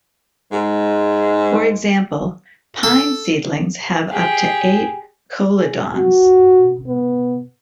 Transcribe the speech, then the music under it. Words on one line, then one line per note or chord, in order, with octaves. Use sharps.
For example, pine seedlings have up to eight cotyledons.
G#2 G#3
A4
G4 G#4
G#4
F#4
B3